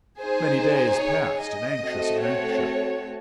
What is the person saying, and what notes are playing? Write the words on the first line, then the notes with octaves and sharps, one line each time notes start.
Many days passed in anxious inaction.
D#4 G#4 C5
C#5
D#5
A3 C4 F#4
C#5